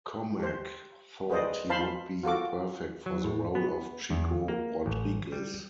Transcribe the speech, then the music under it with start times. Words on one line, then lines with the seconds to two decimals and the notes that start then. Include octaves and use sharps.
Komack thought he would be perfect for the role of Chico Rodriguez.
0.39 G4 C5
1.30 G#4 B4 C5 D5 D#5
1.70 C5 F5 A5 B5 C6
2.23 F4 F#4 A4 D6
3.06 F#3
3.24 A2
3.55 B3
4.10 E2
4.48 A#3
4.86 A1
5.32 G3